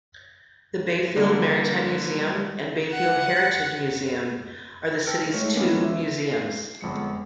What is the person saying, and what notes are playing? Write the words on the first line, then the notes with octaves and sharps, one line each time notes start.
The Bayfield Maritime Museum and Bayfield Heritage Museum are the city's two museums.
D3 G3 A#3
F#5
G5 A5 E6 F6 C#7 D7
G#3 A3 F#4 C#5
D#3 G#3 A#3 B3 C#4 E4
E5
C7
G1 F2 G#3 C#7